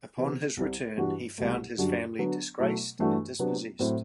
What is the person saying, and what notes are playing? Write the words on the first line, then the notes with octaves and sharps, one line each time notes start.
Upon his return, he found his family disgraced and dispossessed.
C3 E3 B3
C2 C3 G3
G2 E3 G3 D4 F#4
C2 B2 A3
F#2 D3 G3 D4 F#4
D3 F#3 B3
B2 F#3 A3 E4
G2 E3 A3 D4 F#4
C3 F#3 B3 D4
A2 F#3 C4 E4